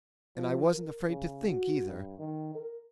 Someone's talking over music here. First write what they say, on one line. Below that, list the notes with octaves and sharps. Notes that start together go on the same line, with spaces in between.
And I wasn't afraid to think either.
F3
A#4
C#3
F#4
G2
D#3
A#4